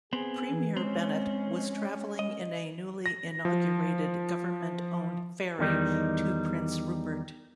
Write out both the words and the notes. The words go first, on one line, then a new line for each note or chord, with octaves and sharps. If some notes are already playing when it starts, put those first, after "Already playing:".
Premier Bennett was travelling in a newly inaugurated government-owned ferry to Prince Rupert.
B3 C4 G#4
E3
G#3 C4 C#4
D#5
A#6
F3
E2 D#3 G3 D#4